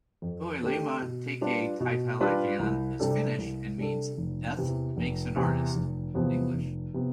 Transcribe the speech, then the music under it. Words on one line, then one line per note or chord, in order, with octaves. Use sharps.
"Kuolema Tekee Taiteilijan" is Finnish and means ""Death Makes an Artist"" in English.
F2
D3 A3 D4 G4
B2
G3 D4 F4 B4
B2
G3 D4 F4 B4
C2
C3 G3 D4 A4
C2
C3 G3 D4 A4
F1
E2 C3 E3
F1
E2 C3 E3
F1
E2 C3 F3 B3
F1
C3 F3 B3